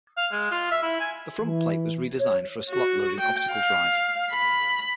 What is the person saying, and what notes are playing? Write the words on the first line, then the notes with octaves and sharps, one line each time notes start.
The front plate was redesigned for a slot-loading optical drive.
F5
G#3
F4
E5
E4
G#5
E3
C#5
F#4
G5
F5
B5